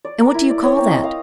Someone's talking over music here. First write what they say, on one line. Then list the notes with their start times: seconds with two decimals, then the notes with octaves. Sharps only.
"And what do you call that?"
0.05 D5
0.19 A#4
0.34 E4
0.50 D5
0.63 C#5
0.77 C4
0.91 D#5
1.03 F5